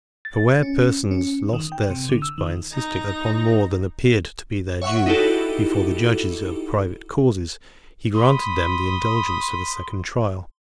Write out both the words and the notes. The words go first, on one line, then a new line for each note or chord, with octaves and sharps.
For where persons lost their suits by insisting upon more than appeared to be their due, before the judges of private causes, he granted them the indulgence of a second trial.
A6
C#4
C#4
D#3
G5
C3
D3
E6
D#3
D#4 A#5
C#5 E5 F#5 C#6
D#4 E4 F#4 G4 A4
B5 C6 D#6